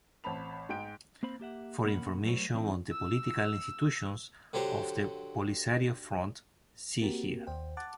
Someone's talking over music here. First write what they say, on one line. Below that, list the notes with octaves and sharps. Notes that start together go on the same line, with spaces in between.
For information on the political institutions of the Polisario Front, see here.
A1 C4 A5 B5 F7
G#2 G#4 G5 G6 D7
A#3 C4 C5 B5
A#3 G4 E5 F#5
B2 A#3 C#4 F#5 B5
F#3 G3 A3 B4 C#5
E3 C4 D4 D#4
E6
D3 F#3 G4 C5
A#3 C4 F#4 G4 A#4
D#2 C5 G5
F#5 A5 D6 F#6 A6